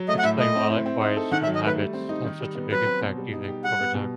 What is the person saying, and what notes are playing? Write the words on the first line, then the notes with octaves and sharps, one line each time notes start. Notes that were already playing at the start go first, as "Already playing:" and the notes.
explain while it why it small habits have such a big impact, do you think over time?
Already playing: F#3
A3 D#5
F#5
A2 E5
A3 D#5
C4
E4
C4
D#4
A4
D#3 F#5
E5
F#3
D#5
A3 B4
G3
C4
D#4
D#3
G3
B3
F#3 B4
C4
B2
G3
D#4
G4
G3 F#5
B3
B2